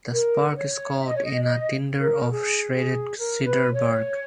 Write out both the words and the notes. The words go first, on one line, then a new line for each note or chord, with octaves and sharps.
The spark is caught in a tinder of shredded cedar bark.
A#4
C#5
E5
D#5
C#5
D#5
D#5
A#4
G#4
G#4
A#4
B4
C#5